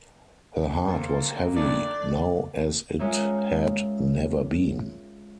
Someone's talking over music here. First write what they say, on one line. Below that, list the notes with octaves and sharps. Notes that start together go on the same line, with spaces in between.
Her heart was heavy now as it had never been.
A#3 A4 C5
F2 A3 D4 D5
G#3 C#4 F4 A#4 C#5 E5